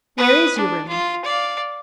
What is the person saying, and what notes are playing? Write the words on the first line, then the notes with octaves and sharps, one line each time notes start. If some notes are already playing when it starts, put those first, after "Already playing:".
"Where is your room?"
B4 D#6
D4
F4
D5 F5